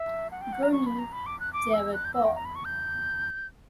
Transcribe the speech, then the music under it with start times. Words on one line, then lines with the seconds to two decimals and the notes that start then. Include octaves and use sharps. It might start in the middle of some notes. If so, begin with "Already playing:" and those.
Gurney, David Paul.
Already playing: E5
0.32 F#5
0.41 G5
0.53 F#5
0.63 A#5
0.72 C#6
0.86 B5
0.99 A#5
1.13 B5
1.26 D6
1.40 F#6
1.53 D6
1.73 E6
1.94 F#6
2.05 G6
2.14 E6
2.25 G5
2.35 A#5
2.45 B5
2.55 C#6
2.65 G6